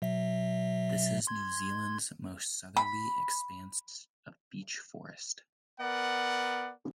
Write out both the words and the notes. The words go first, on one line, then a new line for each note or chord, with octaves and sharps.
This is New Zealand's most southerly expanse of beech forest.
B2 F#3 E5
C6 G#6
B5
B3 A#4 D5 F#5